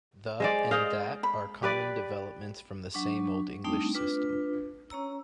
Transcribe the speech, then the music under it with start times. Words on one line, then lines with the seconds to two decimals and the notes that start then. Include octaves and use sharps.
"The" and "that" are common developments from the same Old English system.
0.40 G#3 C5 D5
0.71 G#4 C5 D#5 F5
1.23 B5
1.63 G4 B4 D5
2.94 F#3 D4 C#6
3.64 G3 A3 C4 D4 D#4
3.95 D4 F4 B4
4.90 C#4 C#5 A#5 E6